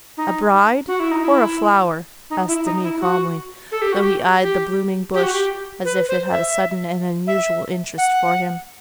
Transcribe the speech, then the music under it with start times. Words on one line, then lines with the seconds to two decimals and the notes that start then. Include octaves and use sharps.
'A bride or a flower?' asked Demi calmly, though he eyed the blooming bush as if it had a sudden and unusual interest for him.
0.17 D#4
0.88 F#4
1.00 E4
1.11 D#4
1.24 E4
2.30 D#4
2.48 E4
2.65 D#4
2.83 E4
3.01 F#4
3.72 A4
3.82 G4
3.92 F#4
4.01 G4
4.42 G4
5.14 G4
5.23 F#4
5.33 G4
5.85 B4
6.09 C5
6.32 E5
7.27 E5
7.98 F#5